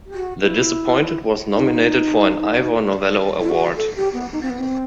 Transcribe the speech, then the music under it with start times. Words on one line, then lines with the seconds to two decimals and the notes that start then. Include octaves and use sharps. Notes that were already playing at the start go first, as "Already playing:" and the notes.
"The Disappointed" was nominated for an Ivor Novello award.
0.14 F#4
0.41 E4
1.53 D#4
3.41 E4
3.49 F#4
3.76 A4
3.96 G4
4.14 B3
4.33 D#4
4.42 C4
4.50 B3
4.59 C4